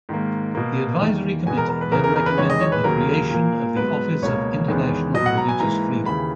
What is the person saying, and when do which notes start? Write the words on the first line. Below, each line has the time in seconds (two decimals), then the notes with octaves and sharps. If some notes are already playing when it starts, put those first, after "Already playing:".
The advisory Committee then recommended the creation of the Office of International Religious Freedom.
0.09 G#2 D#3 A#3
0.55 B2 A#3
1.00 E2 D#3 A#3
1.46 E2 B2 G#3 B3 G#5
1.57 A#4
1.69 A#4
1.81 B4
1.92 E2 C#3 E3 B3 A#4
2.04 A#4
2.16 A#4
2.26 B4
2.38 E2 D#3 G#3 C#5
2.50 D#5
2.61 C#5
2.72 B4
2.84 D#2 C#3 F#3 A#3 A#4
3.31 A#2 A#3
3.76 G#2 F#3 B3 B4
4.22 C#2 B2 A#3 C#5
4.68 E2 D#3 G#3 B3
5.14 B2 F#3 B3 D#5
5.26 F#5
5.38 A#5
5.49 G#5
5.60 G#2 E3 A#3 A#5
6.06 D#2 C#3 E3 A#3 B5